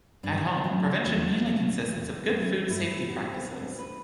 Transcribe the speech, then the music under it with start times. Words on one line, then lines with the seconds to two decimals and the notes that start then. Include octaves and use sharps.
At home, prevention mainly consists of good food safety practices.
0.23 G2 D4
0.64 F#3 A3
1.05 E2
1.46 B2 F#3 A3
1.87 E2
2.28 D3 F#3 A3
2.70 G2 E4
3.10 D3 G3 B3
3.30 C4
3.51 B2 D4
3.79 B4